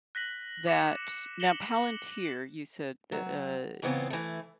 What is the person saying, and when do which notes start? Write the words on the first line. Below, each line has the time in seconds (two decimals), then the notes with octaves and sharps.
that now, Palantir, you said that, uh
0.15 F#6 A#6 B6 F#7
0.67 D6 B6 C#7 E7
1.40 A#6 C#7 E7 F#7 G7
3.12 F#3
3.82 G#2 C#3 E3 B3 C4 F4
4.10 E3 A3